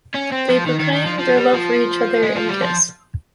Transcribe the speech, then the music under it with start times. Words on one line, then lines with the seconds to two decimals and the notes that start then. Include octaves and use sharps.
They proclaim their love for each other and kiss.
0.15 C#4
0.32 C4
0.50 F3
0.67 D#3
0.80 D#3
0.93 D#3
1.06 F3
1.19 F3
1.36 G3
1.53 F3
2.22 G#3
2.36 F3
2.48 G3
2.62 F3